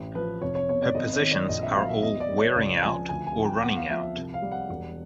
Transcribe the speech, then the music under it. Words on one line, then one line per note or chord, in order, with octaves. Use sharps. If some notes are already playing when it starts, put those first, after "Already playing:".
Her possessions are all wearing out or running out.
Already playing: A1
F3 B4
F1 C#5
C#5
B2 C#5
D5
G#1 D#5
C#5
D#3
D5
A#1 D#5
E5
F#3 F5
E5
E2 D#5
D5
G3
C#5
C#2 D5
F3 G#5
D2 G#5
G#5
F3
G5
E2 F#5
F5
F3 E5
E5
C2
F5
G3
F#5
E1